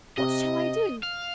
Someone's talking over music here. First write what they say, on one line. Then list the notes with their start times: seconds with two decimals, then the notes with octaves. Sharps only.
What shall I do?
0.17 C3 D#5
1.03 F5